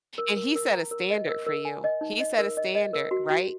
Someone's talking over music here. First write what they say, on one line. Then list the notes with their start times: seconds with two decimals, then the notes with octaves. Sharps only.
And he set a standard for you. He set a standard, right?
0.18 A#4
0.37 A#4
0.56 A#4
0.73 A#5
0.91 A#4
1.10 D#5
1.29 A#4
1.47 A#4
1.65 G#5
1.84 D#5
2.01 D#4
2.20 D#5
2.39 A#4
2.57 D#5
2.75 D#5
2.93 A#4
3.11 F#4
3.30 F#4